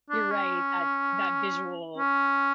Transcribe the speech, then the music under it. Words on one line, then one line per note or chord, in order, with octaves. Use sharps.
You're right, that that visual
D4
C#4
C#4